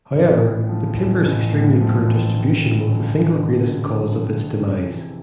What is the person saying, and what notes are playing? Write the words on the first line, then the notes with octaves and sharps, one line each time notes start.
However, the paper's extremely poor distribution was the single greatest cause of its demise.
A1
A2
F3
A1
A1
A2
F3
A1
D2
C#3
F3
G#3
D2
C#3
F3
G#3
C3
E3